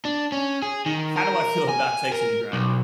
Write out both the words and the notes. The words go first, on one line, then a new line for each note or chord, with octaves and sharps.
how do I feel about texting and driving?
D4
C#4
G#4
D#3
A#4
G#5
A#4
B1